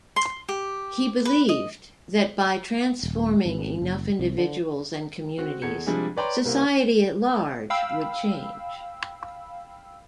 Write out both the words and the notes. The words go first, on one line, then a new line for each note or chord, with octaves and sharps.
He believed that by transforming enough individuals and communities, society at large would change.
C6
G4
B4
D#5
D#1
G#1
F#1
C2
D3
C4 F#4
E2 A4 G#6 C#7
C3 F3 G3 G#3 D4 G#4
B4 C#5 D5 G5 A#5 C6
C2 A#3 C4
F5 G5 B5 E6